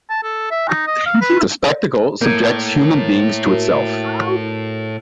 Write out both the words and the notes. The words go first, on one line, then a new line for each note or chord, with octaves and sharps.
The spectacle 'subjects human beings to itself'.
A5
A4
E5
D#4
D#5
F5
B4
A2 A#3 G6 G#6
F#4 A#4